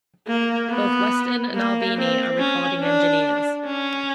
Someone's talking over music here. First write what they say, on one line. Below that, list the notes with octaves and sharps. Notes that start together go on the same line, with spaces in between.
Both Weston and Albini are recording engineers.
A#3
B3
A#3
C4
C#4
D4
C#4